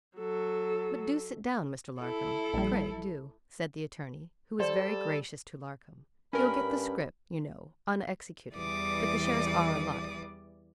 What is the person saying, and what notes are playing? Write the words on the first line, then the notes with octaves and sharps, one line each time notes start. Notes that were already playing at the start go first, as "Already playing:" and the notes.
'But do sit down, Mr. Larcom--pray do,' said the attorney, who was very gracious to Larcom. 'You'll get the scrip, you know, on executing, but the shares are allotted.
F#3 A4
E4 A4
A#1 G3
G3 A4 C5 D5
G2 C#4 A#4 B5
E2 E3 G3 D5 D6 D#6